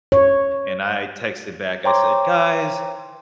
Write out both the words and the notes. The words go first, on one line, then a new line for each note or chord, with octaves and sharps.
And I texted back, I said, “Guys"
C#5
C5 C#5 G5 A#5 C6 D6